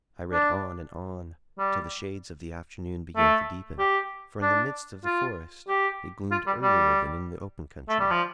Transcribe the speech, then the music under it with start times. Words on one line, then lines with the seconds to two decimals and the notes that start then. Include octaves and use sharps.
I read on and on, till the shades of the afternoon began to deepen; for in the midst of the forest it gloomed earlier than in the open country.
0.33 D4
1.59 G3
3.16 A3
3.79 G4
4.42 D4
5.05 F4
5.68 G4
6.31 F4
6.47 G3
6.63 G3
7.89 A3
8.00 G3
8.11 F3